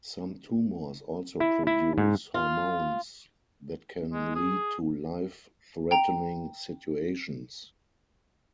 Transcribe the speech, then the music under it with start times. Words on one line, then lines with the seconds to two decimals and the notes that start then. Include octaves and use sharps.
Some tumors also produce hormones that can lead to life-threatening situations.
1.40 E4
1.67 E4
1.98 G#2
2.34 F4
4.13 G#3
4.35 G#4
5.91 G5 A#5